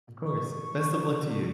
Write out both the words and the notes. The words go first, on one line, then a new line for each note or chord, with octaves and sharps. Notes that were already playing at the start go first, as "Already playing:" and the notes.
Of course, best of luck to you.
C#6